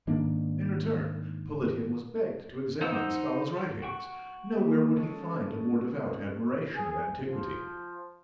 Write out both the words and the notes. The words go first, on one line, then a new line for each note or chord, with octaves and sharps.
In return, Politian was begged to examine Scala's writings: nowhere would he find a more devout admiration of antiquity.
G#2 D#3 A#3 D4
D#4 C5 F#5 E6
F#4 G5 C#6
A#3 B3
G#3 C#4 A4
G#4
F3